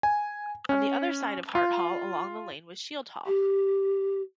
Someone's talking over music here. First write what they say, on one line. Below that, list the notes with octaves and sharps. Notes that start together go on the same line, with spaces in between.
On the other side of Hart Hall along the lane was Shield Hall.
G#5
C#4
F4
G4